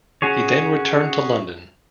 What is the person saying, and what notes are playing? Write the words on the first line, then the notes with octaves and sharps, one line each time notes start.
He then returned to London.
C#4 F#4 G#4 C#5